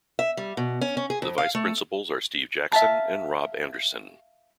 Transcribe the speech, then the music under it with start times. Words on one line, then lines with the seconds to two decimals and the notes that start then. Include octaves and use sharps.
The vice-principals are Steve Jackson and Rob Anderson.
0.19 E5
0.37 G3
0.57 B2
0.81 C#4
0.97 C#4
1.10 G#4
1.22 F2
1.38 F5
1.55 A3
2.72 E5 F5 A5 A#5